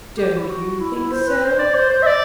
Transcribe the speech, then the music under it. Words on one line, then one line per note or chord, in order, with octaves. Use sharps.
'Don't you think so?
G4
E4
F#4
E4
E4
C5
B4
C5
D5
C5
C5
E5
D5